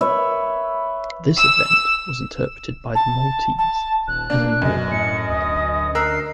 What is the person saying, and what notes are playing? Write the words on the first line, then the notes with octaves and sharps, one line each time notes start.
This event was interpreted by the Maltese as a miracle.
B4 C#5 E5
E6
A5
A5
D#1 F#6
A#3 D4
F#2 B2 D#5
A2 C#7
D2 D#6
A#4 E6 F#6 C7